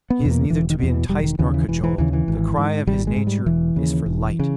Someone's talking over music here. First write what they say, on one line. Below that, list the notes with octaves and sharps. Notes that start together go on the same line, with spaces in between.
He is neither to be enticed nor cajoled. The cry of his nature is for light.
B3
E2 B2
A#3
E1 E3
D#3
E2 B2
E3
E1 G3
D#3
D#2 C#3 E3
E3
E1 E3
E3
D#2 C#3 E3
E3
G#1
G#2
G#1 G3
G#3
G#2
G3
E1 E3
D#2 C#3
E1
C#3